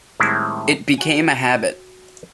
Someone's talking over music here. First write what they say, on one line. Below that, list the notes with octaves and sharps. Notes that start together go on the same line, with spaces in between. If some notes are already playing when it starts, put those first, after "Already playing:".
It became a habit.
A2 D#3 G3 G#3 C4 E4
F#4 G#5